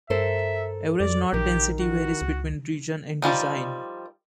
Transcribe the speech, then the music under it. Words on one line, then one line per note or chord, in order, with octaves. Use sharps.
Average knot density varies between region and design.
G2 A4 A#4 C5 E5
F2 D5
A#1 D#3 G4 A#4
F#4
C#2
D#3 F3 G3 D5